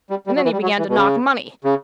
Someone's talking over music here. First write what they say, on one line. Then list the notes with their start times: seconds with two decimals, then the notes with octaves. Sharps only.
And then he began to knock money.
0.10 G3
0.27 G3
0.36 F#3
0.45 E3
0.53 G3
0.62 F#3
0.78 E3
0.88 B2
0.95 C#3
1.64 C#3